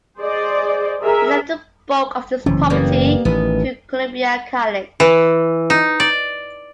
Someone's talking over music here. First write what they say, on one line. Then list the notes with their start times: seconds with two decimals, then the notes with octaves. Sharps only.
He left the bulk of his property to Columbia College.
0.19 G#4 C5 D5 D#5
1.01 G#4 A#4 E5
2.46 F#1 C3 E3 C#4
2.70 G3 A#3 B3
3.25 A1 D#3 B3
5.00 E3
5.70 D#4
6.00 D5